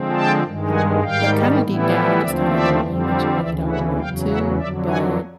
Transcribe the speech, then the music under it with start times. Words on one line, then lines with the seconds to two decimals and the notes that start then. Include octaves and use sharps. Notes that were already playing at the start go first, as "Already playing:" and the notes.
um, but kinda deep down, just kinda knowing that you really don't want to, but,
Already playing: D3 F3 G#3 C4
0.14 G5 A5
0.44 G2 D#3 G#3
0.73 F#5 G#5
1.03 G#2 D#3 G3 F5 G5
1.63 A2 E3 G3 B3 E4
2.21 D#2 D3 F3 A3 C4 D5 E5
2.52 D5 E5
2.81 F2 D3 G3 C4
3.40 D2 C#3 E3 D5 E5
3.70 E5 F#5
4.00 E2 C#3 F#3 F5 G5
4.30 E5 F#5
4.59 F2 D3 F#3 D5 E5
4.89 F#5 G#5